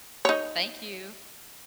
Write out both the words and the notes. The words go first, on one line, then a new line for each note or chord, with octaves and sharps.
Thank you.
D#4 C#5